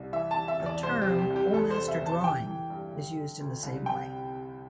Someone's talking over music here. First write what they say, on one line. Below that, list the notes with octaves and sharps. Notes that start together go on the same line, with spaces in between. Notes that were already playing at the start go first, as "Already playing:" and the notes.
The term "old master drawing" is used in the same way.
Already playing: C2
E3 E5
A5
E3
E5
E2
D5
C2 C5
G4
C3
G4
C2
G4
E2 A4
C5
C3
E5
E2
A5
E3 G5
E3
G2
D3
D3
D2
C2
C3 G5